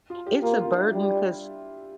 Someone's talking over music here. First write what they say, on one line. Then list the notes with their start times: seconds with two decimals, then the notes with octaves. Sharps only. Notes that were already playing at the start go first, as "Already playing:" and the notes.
it's a burden, 'cause
0.10 F4
0.27 G4
0.43 A#3 F4
0.60 F4
0.71 D4
0.76 E4
0.92 G3